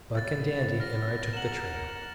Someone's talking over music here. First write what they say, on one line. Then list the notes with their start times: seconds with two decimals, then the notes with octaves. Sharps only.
Buck and Dandy and I took the trail.
0.17 B3 A6
0.80 F6 A#6
1.33 A#4 F#5 E7 F#7